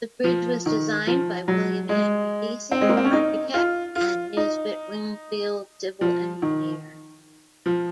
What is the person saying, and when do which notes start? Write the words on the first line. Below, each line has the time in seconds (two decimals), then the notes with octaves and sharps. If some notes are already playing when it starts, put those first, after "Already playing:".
The bridge was designed by William Henry Deacy, architect and Nisbet Wingfield, civil engineer.
0.24 F3
0.66 D#3
1.07 F3
1.48 F#3
1.89 G#3
2.71 C4
2.81 G#3
2.89 A#3
2.97 C4
3.04 C#4
3.13 D#4
3.54 F4
3.96 F4
4.37 D#4
6.01 F3
6.42 D#3
7.66 F3